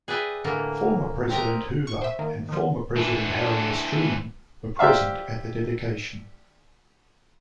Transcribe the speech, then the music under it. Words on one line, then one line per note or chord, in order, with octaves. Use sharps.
Former President Hoover and Former President Harry S. Truman were present at the dedication.
G#4 B4 D5 E5 G5 G#5
A2 D3 E3 A#3
C4 G4 A#4 D#5 A#5
C#6
C5 E5
D#3 A#3
D#3 F3
E3 D4
G4 C5 D5 E5 F5